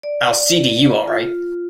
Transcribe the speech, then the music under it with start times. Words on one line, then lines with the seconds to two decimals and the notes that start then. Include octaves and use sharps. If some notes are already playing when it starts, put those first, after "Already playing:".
I'll see to you all right.
0.03 D5
1.08 F4